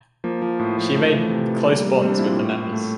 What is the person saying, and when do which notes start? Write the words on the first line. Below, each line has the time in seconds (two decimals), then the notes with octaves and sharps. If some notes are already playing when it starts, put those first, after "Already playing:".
She made close bonds with the members.
0.24 F3 A#3
0.42 F3
0.59 A2
0.78 F3
0.95 A3
1.13 E3 A3
1.30 C3
1.48 E3
1.66 G3 A#3
1.83 G3
2.01 G3 C4
2.10 D4
2.19 A#2 E4
2.28 F4
2.37 A2
2.55 A2
2.72 A3